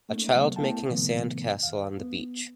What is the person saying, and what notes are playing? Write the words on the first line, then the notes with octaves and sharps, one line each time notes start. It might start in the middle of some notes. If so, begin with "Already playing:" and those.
A child making a sand castle on the beach.
A3 A#3 C#4 D#4
C3 F#3 A3 B3 C4
A3 B3 E4 F5 G5 A5
A2 C3 D#3 F3 A3 B3
D#2 F5
B3